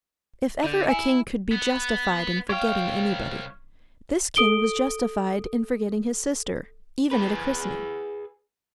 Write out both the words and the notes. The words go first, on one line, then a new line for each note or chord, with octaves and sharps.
If ever a king could be justified in forgetting anybody, this king was justified in forgetting his sister, even at a christening.
D3 D5 G6
E4 G#5 C#7 F7
B3
C2 C#5 F5 G5
A4 D#6 D7 G7
G#4 B4